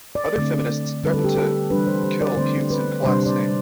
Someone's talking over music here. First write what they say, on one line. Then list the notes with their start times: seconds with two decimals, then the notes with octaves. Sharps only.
Other feminists threatened to kill Hughes in Plath's name.
0.15 D5
0.38 D3 A3 C4
1.04 D3 G3 C4 B4
1.14 A4
1.24 G4
1.35 A4
1.70 E3 G3 D4 B4
1.87 C5
2.03 C5
2.21 D5
2.37 D3 A3 C4 C5
2.70 B4
3.04 C3 G3 D4 C5
3.26 D5